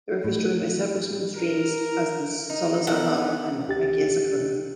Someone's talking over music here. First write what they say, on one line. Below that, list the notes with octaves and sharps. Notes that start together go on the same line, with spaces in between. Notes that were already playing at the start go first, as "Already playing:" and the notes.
The river is joined by several small streams as the Solozabal and Agirre-Sakona.
A2
A#4
D#4
B3 A4 A#4 F#5
C#2 G4 A6